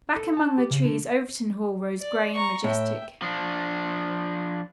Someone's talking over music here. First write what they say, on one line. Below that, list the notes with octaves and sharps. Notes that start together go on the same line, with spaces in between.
Back among the trees Overton Hall rose gray and majestic.
A4
A5
G4
C#3
D3
D5
A#5 C#6
A2 E5 G5
F3 D4